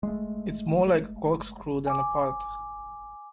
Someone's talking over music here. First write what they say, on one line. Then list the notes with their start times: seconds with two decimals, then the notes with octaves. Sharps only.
It’s more like a corkscrew than a path!
0.03 G#3 A3
1.87 G#5 D6